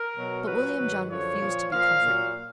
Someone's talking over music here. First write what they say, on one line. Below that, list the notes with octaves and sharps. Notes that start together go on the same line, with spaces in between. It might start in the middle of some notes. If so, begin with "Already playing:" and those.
But William John refused to be comforted.
Already playing: A#4
B2 F#3
A#2 F#3 B4
G2 D#3 F#3
F#2 D3 F3 C#5
A#2 F3
A#2 F3 F5
A#2 F#3